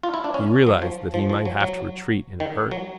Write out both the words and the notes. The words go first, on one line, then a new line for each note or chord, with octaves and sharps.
He realized that he might have to retreat in a hurry.
F4
E4
D4
C#4
F#3
F3
F3
F3
F#3
F#3
D#3
F#3